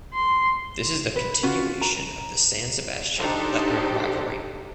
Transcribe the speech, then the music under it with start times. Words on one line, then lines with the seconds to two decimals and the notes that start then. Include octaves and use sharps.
This is the continuation of the San Sebastian–Letran rivalry.
0.13 C6
1.16 B4
1.43 C#4 F4 F#4
1.81 A#5
3.17 D4 D#4 G4 A4 C5